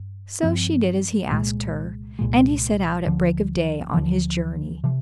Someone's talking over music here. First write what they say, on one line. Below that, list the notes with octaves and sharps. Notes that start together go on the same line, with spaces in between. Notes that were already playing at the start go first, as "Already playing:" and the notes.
So she did as he asked her, and he set out at break of day on his journey.
Already playing: G2
G2 F3 C4
C2 A#2 G#3
C2 A#2 G#3
D2 D3 F3
D2 D3 F3
C3 F3